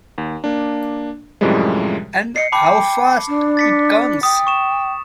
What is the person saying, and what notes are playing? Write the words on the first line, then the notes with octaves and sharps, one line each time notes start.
And how fast it comes!
D#2
A#3 D4
F#2 A2 C3 F3 G3 G#3
D#5 C7 C#7
G5 A5 B5 D6
D4
A6 B6 C#7
G5 D#6
C#6 E7